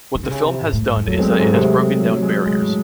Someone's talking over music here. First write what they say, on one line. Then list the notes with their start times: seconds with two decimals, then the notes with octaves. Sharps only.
What the film has done is that it has broken down barriers.
0.15 D#3
0.23 C3
0.31 C#3
0.46 C3
0.61 A2
0.73 A2
0.84 G#2
0.96 F#2
1.07 E2 F#3 A3
1.19 F#2 G#3 C4
1.30 F#3 A3
1.38 G#2 G#3
1.54 C3
2.00 F#3
2.12 F#3
2.22 G#3
2.45 C3 G#3
2.62 A2